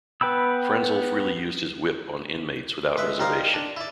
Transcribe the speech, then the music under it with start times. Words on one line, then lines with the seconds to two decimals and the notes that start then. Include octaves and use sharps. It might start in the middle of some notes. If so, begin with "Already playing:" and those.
Frenzel freely used his whip on inmates without reservation.
0.21 B3 B4 G5 B5 E6
2.97 G#3 B4 E5
3.19 G3 D#4 A#4 C5 F5
3.54 D4
3.76 E4 D5